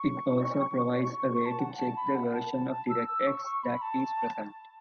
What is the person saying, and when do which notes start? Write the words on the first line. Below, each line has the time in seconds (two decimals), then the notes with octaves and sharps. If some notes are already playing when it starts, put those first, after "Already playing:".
It also provides a way to check the version of DirectX that is present.
Already playing: C#6
1.04 C#6
1.18 C#6
1.32 C#6
1.46 A5
1.60 F#5
1.78 A5
1.97 B5
2.15 F#5
2.34 A5
2.53 A5
2.71 A5
2.90 E6
3.08 E6
3.27 C#6
3.45 C#6
3.64 B5
3.82 A5